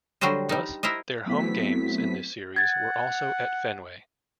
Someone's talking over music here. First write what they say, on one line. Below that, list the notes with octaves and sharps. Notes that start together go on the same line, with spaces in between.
Thus their home games in this Series were also at Fenway.
D3 F#3 G3 F#4 C5 D#5
G3 D#4
E4 A#4 C5 D#5
F#3 A3 B3 C4 E4 B6
F#5 G#6 A6